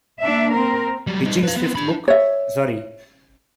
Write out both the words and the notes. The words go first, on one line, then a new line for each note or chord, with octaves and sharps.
Hitchings's fifth book, Sorry!
A#3 D4 E5
C4 A#4
F#3 G3
G3 D#4
B4 F5
B3 C4
D4 B5
C#5 E5